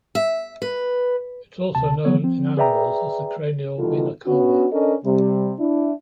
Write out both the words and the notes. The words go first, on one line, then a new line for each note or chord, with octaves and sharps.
It's also known in animals as the cranial vena cava.
E5
B4
D2 C3 A5
D#3 E3 F#3 B3 C#5
F3 C4
G#4 B4 D5 E5 G5 A#5
B2 D#3 E3 G3 F4 A4
B3 C#4 D4 F#4
C#4 D4 A4 A#4 D#5
C3 G3
D4 E4